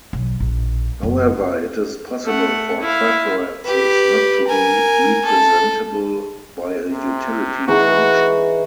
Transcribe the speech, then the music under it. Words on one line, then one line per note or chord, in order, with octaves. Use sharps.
However, it is possible for preferences not to be representable by a utility function.
B1
A#1
F#1
A3 F#5
E4 F5
G4 B4
A#4 G#5
A4
C3
E3 D#4 F#4 G#4